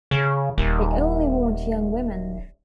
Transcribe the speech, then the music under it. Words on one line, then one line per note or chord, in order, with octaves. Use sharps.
They only want young women.
C#3
D#1